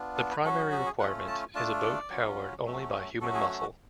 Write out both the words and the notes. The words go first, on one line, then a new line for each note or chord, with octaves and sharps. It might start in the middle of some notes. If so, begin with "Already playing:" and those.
The primary requirement is a boat powered only by human muscle.
Already playing: B3 D4 F4
A4
B4
F#3 C#4 F#4 A4
G#4
G#4
G#4
A3 C#4 F4 F#5
A5
A3 D4 F4 A5
D5
F#3 C#4 F4
F#3 A3 C#4
F#3 A3 C#4 F#4 A4
G#4
F#4
F#4